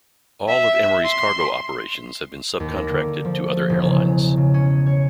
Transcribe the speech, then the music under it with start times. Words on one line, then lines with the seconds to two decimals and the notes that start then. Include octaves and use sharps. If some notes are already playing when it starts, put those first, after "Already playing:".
All of Emery's cargo operations have been subcontracted to other airlines.
0.48 E5
1.04 C6
2.60 D#2
2.76 A#3
2.90 D3
3.25 F3
3.46 A3
3.69 E1
3.84 C#3
4.37 C#3
4.54 C#4
4.86 C#5